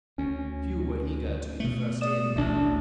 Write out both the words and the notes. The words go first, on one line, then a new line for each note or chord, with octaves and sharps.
Few were eager to be the first in.
D2 C#4
B2 A3
D5 D#6 E7
A1 D2 A3 D4